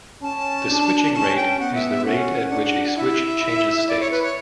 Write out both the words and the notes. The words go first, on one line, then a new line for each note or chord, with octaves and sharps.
The switching rate is the rate at which a switch changes states.
C#4 A5
D4
C#4 A5
G5
B3 F#5
E5
E5
C#4 F#5
D4
E4 E5
E4
D5
C#5
B4
C#5